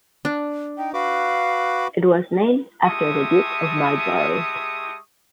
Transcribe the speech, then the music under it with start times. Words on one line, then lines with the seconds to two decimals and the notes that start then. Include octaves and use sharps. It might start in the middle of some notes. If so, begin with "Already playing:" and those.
It was named after the Duke of Marlborough.
0.25 D4
0.78 D#4 G5
0.94 F#4 B4 F5 D6
2.84 G#3 G4 E5 A5 C#6 D#6